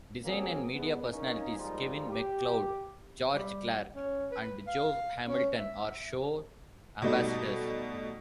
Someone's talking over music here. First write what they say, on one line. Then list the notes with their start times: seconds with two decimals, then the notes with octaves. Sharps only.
Design and media personalities Kevin McCloud, George Clarke and Jo Hamilton are show ambassadors.
0.24 B2 F#3 A#3 C4 C#4 G#4
0.73 E2 B3
1.11 A#3 C#4 D#4
1.56 D#3 F3 G3 G#3 D#4 F4
2.10 G4
3.35 G3
3.96 C#4
4.32 B4
4.68 F5
5.28 C#4
5.58 E5
7.02 B2 G3 A3 D#4